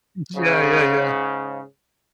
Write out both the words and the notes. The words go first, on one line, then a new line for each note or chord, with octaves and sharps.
Yeah, yeah, yeah.
G#2 C#3